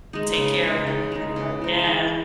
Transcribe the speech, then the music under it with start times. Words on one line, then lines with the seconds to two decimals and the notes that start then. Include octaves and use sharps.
Take care of him pretty mu yeah.
0.13 G#3 D#4
0.38 C#3
0.63 G#3 D#4
0.87 C#3
1.12 G#3 D#4
1.36 C#3
1.62 G#3 D#4
1.85 E3